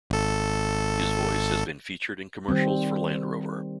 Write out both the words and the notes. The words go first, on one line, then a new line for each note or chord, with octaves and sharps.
His voice has been featured in commercials for Land Rover.
G#1 A4
D#3 G3 C4